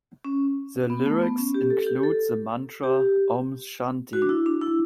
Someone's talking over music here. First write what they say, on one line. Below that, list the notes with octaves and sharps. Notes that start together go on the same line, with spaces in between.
The lyrics include the mantra Om shanti.
C#4
B3
A3
B3
C#4
G4
A4
G4
A4
G4
F#4
D4
E4
D4
E4